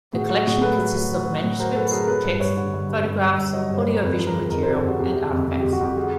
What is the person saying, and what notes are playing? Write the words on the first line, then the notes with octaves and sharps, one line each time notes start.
The collection consists of manuscripts, texts, photographs, audio-visual material and artifacts.
A2 F#4 G#4
F#3 F#4 G#4
A2 F#4 G#4
F#3 A4 B4
F#3
F#3
F#3
F#3
A2
F#3 A#4 C5
F#3 A4 B4
F#3 G#4 A#4
A#4
F#3 A4 B4
G2
G2 B4 C#5
D3
G2
G2
G2
G2
G2
F#3 C#5 D#5
G2 C5
B4 C#5
G2
A#4
F2 A4 B4
F3 B4
G#4 A#4
F3
F2 G#4 A#4
A#4 C5
C3
G4 A4
F2 F#4 G#4
F2 G4
C3
F2
F2
G4
F2
F#4
F2 G4
F#4 G#4